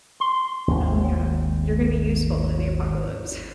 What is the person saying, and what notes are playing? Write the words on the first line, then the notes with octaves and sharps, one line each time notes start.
Oh yeah, you're gonna be useful in the apocalypse.
C6
G#1 D#2